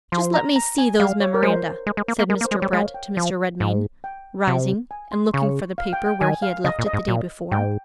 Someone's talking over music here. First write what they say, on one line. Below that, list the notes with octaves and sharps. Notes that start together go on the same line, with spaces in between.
"Just let me see those memoranda," said Mr. Brett to Mr. Redmain, rising, and looking for the paper where he had left it the day before.
F3 C6
A#5
A#5
G#5
G3 F5
C#5
A#4
G#3 C5
G#3
G#3
A#3
A#3
G#3 A#4
A#3
C5
G#3
C#5
G3
G#3 F5
G5
F3
G#2
G5
C3
G#5
C6
C#3 C#6
F5
G5
G5
D#3 G#5
F5
C#3 D#5
A#2
D#5
G#2
A#2
G#2 G5